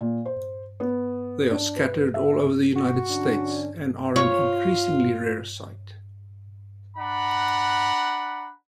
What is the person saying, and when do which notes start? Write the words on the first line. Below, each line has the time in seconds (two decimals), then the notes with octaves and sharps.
They are scattered all over the United States and are an increasingly rare sight.
0.01 A#2
0.25 C5
0.80 B3
1.51 D4
1.76 B4
2.14 E5
2.76 F#4
3.09 D3 C#4 D4
4.16 F4 C#5
6.97 D4 F#5 A#5 B5